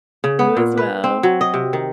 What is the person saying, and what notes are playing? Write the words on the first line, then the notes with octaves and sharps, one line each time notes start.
You as well.
C#3
B3
A#2
B4
C4
F#3
D#5
C3
D#3